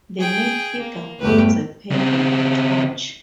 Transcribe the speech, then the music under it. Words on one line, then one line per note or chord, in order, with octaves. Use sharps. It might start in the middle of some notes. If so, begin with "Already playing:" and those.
The male figure holds a pen and a torch.
G#4 G5
A#3
G1 E2 A3 G4 B4
C#3 C4